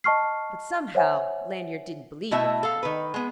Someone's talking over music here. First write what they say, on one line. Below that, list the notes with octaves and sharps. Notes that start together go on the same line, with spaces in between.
But somehow Lanyard didn't believe it had.
D#5 A5 C#6 F6 C7
C5 C#5 E5 F#5 G#5
B2 A3 E4 D#5 E5 A5
A4 F5
D#3 B4
G#3 B3